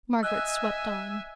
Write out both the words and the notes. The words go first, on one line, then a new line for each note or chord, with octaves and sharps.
Margaret swept on.
D#5 E5 G#5 E6 F#6